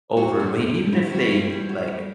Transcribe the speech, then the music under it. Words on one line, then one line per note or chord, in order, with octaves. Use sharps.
overweight even if they, like,
E2 F#4
D3 A3
F#2
D3 G3
A2 E4
E3 G3 F#4
G2 E4
E3 G3
A2 F#4
G3